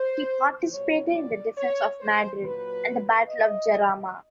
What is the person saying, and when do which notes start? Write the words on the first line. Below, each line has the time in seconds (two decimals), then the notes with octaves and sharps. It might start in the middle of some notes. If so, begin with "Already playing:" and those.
He participated in the defense of Madrid and the battle of Jarama.
Already playing: C5
0.72 B2 G3 C#5
1.15 D5
1.57 C#5
2.00 C5
2.43 A#2 F#3 B4
3.28 D#5